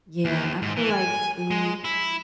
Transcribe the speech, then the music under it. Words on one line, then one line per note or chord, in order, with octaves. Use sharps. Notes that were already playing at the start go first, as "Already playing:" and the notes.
Yeah, I feel like too,
D#2
G#2
E3
G#5
G#3
E4